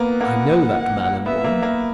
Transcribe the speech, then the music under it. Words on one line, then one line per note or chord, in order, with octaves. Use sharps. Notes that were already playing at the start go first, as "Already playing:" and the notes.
"I know that man and woman."
Already playing: A#3 B3
A#3 F#5
B3 E5
A#3
A#3